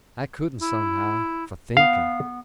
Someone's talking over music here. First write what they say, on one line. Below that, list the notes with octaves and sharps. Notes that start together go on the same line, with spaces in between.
I couldn't, somehow, for thinking.
E4
B3 F5